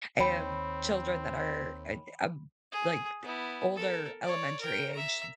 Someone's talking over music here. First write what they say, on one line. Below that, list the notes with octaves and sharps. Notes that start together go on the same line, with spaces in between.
I have children that are it um, like, the older elementary age,
D#2 C4 C#5 G5 B5
G#4
B3 E4
A4 A#4
C#5 D5
A#4 G5
E5 A#5